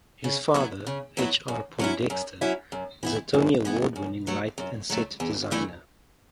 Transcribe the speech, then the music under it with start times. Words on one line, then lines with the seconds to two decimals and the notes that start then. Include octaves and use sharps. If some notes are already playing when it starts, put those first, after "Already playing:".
His father, H. R. Poindexter, is a Tony award-winning light and set designer.
0.24 C#3
0.54 F#3 B3 E4
0.87 C#3
1.17 F#3 B3 E4
1.48 F#2
1.79 F#3 C#4 E4
2.10 F#2
2.41 F#3 C#4 E4
2.72 F#2
3.03 E3 B3 E4
3.34 F#2
3.65 E3 B3 E4
3.96 F#2
4.27 F#3 A3
4.58 F#2
4.90 F#3 A3
5.20 E2
5.51 E3 A3 E4